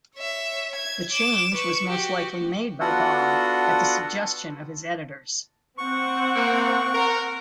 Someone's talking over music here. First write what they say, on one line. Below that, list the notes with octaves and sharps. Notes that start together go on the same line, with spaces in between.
The change was most likely made by Baum at the suggestion of his editors.
C#5 E5
G#6
D6 E7
B4 C#6
F#4 G4
B3 D4 F4 F#4 A4 F#5
C4 F#5 C#6
A#3
A#4